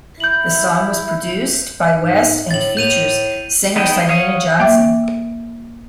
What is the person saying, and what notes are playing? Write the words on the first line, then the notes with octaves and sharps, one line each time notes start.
The song was produced by West and features singer Syleena Johnson.
E4 G6 F#7
G#2
A2 A6 F#7
A2 G6 D#7 F7
B3 D#4 E4 D#5 G5
C#5 F5 F#5 D#6
A#3 E5 G5 D6